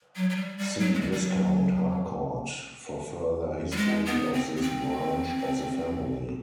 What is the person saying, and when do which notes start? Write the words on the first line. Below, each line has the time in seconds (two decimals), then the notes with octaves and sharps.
See Viscount Harcourt for further history of this branch of the family.
0.16 F#3
0.30 F#3
0.36 G3
0.58 G3
0.80 F#3
0.94 G#3
1.01 G3
1.12 G3
1.22 F#3
3.72 G3
3.76 G#3
4.06 B3
4.33 C4
4.56 B3
4.62 C4